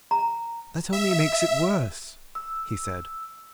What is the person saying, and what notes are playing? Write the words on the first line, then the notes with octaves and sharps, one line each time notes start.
"That only makes it worse," he said.
A#5
E5
E6